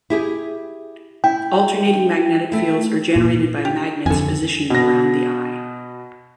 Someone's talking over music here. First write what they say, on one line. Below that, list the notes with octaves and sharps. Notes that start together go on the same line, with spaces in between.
Alternating magnetic fields are generated by magnets positioned around the eye.
E4 G4 G#4
E4 G5
A3 E4
A#2
G4
F2 D3 A4 G#5
B2 A#6